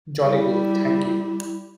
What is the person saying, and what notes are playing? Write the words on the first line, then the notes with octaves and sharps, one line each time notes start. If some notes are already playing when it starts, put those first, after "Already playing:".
Jolly good, thank you.
G3 E4